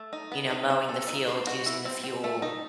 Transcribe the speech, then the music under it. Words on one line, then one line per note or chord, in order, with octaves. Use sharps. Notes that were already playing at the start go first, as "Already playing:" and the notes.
you know, mowing the fields, using the fuel,
Already playing: A3
D#4
B3
D#4
C4
A4
D#4
C5
F#4
E4
C4
C4
A3
D#4